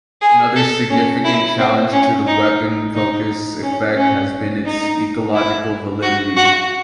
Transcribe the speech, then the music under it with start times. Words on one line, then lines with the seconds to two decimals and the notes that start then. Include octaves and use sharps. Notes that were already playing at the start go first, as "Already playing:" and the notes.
Another significant challenge to the weapon focus effect has been its ecological validity.
0.21 G#4
0.56 A4
0.90 C#4
1.25 E4
1.58 C4
1.92 C#4
2.27 D#4
2.95 D#4
3.63 C#4
3.97 C#4
4.66 D#4
5.34 E4
6.02 F#4
6.36 F#4